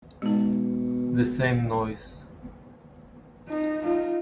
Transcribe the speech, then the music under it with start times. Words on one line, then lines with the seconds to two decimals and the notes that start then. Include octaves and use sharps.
The same noise.
0.22 B2 G#3 D#4
3.48 D#4
3.83 D#4 F4